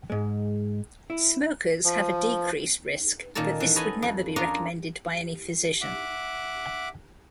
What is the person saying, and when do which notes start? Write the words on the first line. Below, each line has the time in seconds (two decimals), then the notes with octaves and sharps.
Smokers have a decreased risk, but this would never be recommended by any physician.
0.10 G#2 G#3
1.10 E4
1.85 F3
3.35 A#2 D#3 A#3 C#4 A4
3.60 E3
3.76 A4 B4 C#5 D#5 F#5 G#5
4.03 F2
4.36 C#4 D4 F4 G#4 A#4 C#5
5.82 E5 F#5 D6